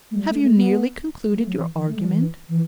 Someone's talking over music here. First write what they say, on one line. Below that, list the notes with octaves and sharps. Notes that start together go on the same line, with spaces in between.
"Have you nearly concluded your argument?"
A3
G3
A3
A3
B3
G3
A3
F#3
E3
E3
A3
G3
E3
E3